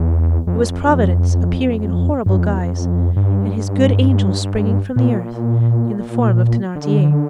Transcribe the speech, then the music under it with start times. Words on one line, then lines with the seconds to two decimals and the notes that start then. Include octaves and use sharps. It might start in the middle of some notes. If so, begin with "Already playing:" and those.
It was providence appearing in horrible guise, and his good angel springing from the earth in the form of Thenardier.
Already playing: E2
0.47 F2
2.26 G2
2.38 F2
2.49 E2
2.59 F2
3.17 G2
4.96 A#2
6.76 D3